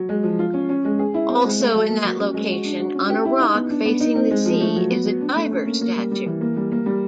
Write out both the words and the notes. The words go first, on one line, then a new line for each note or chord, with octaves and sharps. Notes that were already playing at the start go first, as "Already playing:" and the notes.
Also in that location on a rock facing the sea is a diver statue.
Already playing: F#3
G#3
F3
F4
C#4
C#4
G#3
G#4
E4
C4
G#3
A3
F#3
A#3
F#3
C#4
G#3
F#4
D4
F#4
C#4
G4
E4
D#4
B3
D4
B3
D#4
C4
G#3
F3
A3
F#3
B3
F#3
D4
A3
C#4
A#3
A#3
G3
G3
E3
A#3
G3
A#3
G3